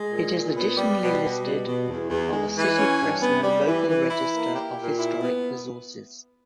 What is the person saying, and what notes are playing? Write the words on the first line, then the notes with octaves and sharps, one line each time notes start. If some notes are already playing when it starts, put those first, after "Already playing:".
It is additionally listed on the City of Fresno Local Register of Historic Resources.
Already playing: G#3
A#2
A#2
B3
G3
B2
B2
G3
B2
E2
E2
G#3
E3
C#4
G2
B3
G3
E3
E3
E4
A#3
G4
A#2
E4
B3